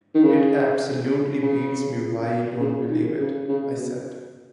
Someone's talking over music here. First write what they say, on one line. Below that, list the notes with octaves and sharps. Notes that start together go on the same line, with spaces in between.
"It absolutely beats me why you don't believe it," I said.
D#3
C#3
C#3
C#3
D#3
C#3
C#3
B2